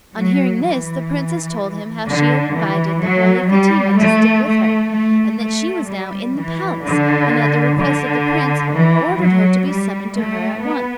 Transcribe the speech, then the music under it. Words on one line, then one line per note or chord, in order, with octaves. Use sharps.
On hearing this, the princess told him how she had invited the holy Fatima to stay with her, and that she was now in the palace; and at the request of the prince, ordered her to be summoned to her at once.
F#3
E3
D3
E3
F#3
G3
A3
A3
A3
A3
G3
E3
D3
D3
E3
F#3
G3
A3
B3